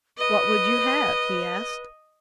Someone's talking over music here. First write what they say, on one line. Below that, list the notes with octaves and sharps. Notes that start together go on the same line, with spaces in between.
"What would you have?" he asked.
B4 D#5